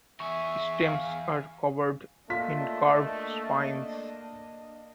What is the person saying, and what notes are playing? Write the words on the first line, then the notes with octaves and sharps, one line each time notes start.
Stems are covered in curved spines.
E2 G#4 E5 C#6
F5
A3 A#3 D4 F4 D#5 B6